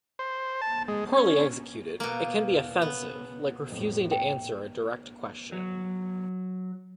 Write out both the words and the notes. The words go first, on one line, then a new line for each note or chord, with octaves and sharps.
Poorly executed, it can be offensive, like refusing to answer a direct question.
C5
A5
G#3
C#4
B2 A#3
E2
C#3 B3
F2 A2
G5
F#3